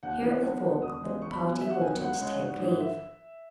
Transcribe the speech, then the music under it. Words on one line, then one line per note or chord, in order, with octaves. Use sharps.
Here, at the fork, the party halted to take leave.
D#2 F#5
C#3 E3 A#3
B1
B2 A#3
E1 D#6
E2 C#3 G#3
E2 C#6
B5
B2 F#3 B3
G#5
E2 E5
F#5
D#3 F#3 B3 G#5
C#2 F#5
C#3 G#3 C#4
G#1
G#2 E3
E5